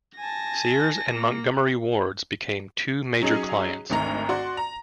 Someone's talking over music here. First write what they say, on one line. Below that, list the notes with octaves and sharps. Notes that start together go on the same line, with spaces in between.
Sears and Montgomery Wards became two major clients.
G#5 A5 A#6
A#3
F#3 C#4 D#4 G#4
G#1 D2 D#3 A#5
F#4 D5 C6
A#5